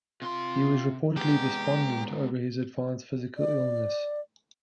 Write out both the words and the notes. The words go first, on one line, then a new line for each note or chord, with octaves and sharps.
He was reportedly despondent over his advanced physical illness.
C3 F4 C6
G#3 B3 G4 A#5
D5